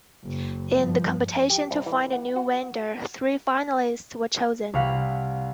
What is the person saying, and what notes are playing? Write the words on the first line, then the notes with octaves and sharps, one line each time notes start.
In the competition to find a new vendor, three finalists were chosen.
F#1
G2 F3
G4
C2
E3
F#5
F#4
C2 F5 F#5 B6